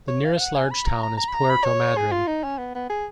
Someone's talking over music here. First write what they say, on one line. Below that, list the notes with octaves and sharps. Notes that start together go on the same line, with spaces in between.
The nearest large town is Puerto Madryn.
C#5
F5
F#5
G#5
B5
A#5
A#5
A#5
B5
A#5
B5
C#5
G#4
F4
D#4
C#4
B3
B3
G#4